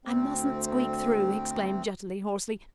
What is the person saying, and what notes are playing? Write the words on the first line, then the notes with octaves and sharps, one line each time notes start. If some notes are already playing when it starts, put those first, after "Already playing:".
"I mustn't squeak through," exclaimed Jutterly, hoarsely.
D2 C4